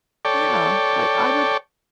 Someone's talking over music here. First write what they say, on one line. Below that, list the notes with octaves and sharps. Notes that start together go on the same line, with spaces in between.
Yeah, I I would
A4 C#5 D5 G5